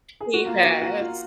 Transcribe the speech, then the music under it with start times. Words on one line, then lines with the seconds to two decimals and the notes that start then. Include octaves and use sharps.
he passed.
0.21 G#4
0.34 F#4
0.46 A#3 F4
0.64 F#4
0.81 F#4
0.99 F4